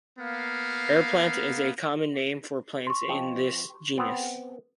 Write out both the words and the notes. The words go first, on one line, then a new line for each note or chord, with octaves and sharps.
Airplant is a common name for plants in this genus.
A#3 B3 F5
C6 C#6
F3 C4 D#5
B3 C4